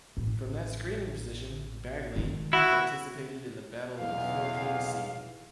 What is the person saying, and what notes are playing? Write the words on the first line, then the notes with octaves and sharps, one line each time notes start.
From that screening position "Bagley" participated in the Battle of the Philippine Sea.
A1
D#3 G#3
E4 F#4
B1 E2 F5